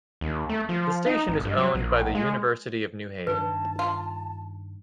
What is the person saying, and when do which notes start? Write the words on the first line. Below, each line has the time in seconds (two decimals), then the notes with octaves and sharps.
The station is owned by the University of New Haven.
0.21 D#2
0.49 A3
0.69 F3
1.06 D#4
1.28 G#1
1.45 G2
1.58 F#3
1.75 A#1
2.15 G#3
3.27 G2 D#3 D4 B4 A5
3.79 F4